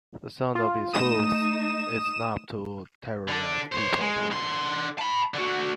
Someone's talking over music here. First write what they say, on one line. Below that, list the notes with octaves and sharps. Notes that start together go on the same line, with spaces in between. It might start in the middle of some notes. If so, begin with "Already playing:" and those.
The sound of its hooves is enough to terrorise people.
F4
A3 D#4 D#6 E7
D3 D4
C5 C#5
G#3
D3 C6
A5 B5
D3 F#4